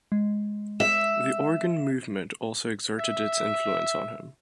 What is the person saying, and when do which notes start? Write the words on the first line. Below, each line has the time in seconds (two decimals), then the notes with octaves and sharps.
The organ movement also exerted its influence on him.
0.12 G#3
0.80 E5
2.99 E5